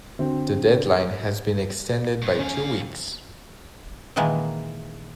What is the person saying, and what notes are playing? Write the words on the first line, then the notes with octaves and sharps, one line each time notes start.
The deadline has been extended by two weeks.
D3 C4 F#4
G2
D#3 C#4 F5
A#2 D#3 E3 G#3 A#3